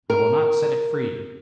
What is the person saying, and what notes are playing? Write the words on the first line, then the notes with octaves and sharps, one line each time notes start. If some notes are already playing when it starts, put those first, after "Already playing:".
'I will not set it free.'
A#4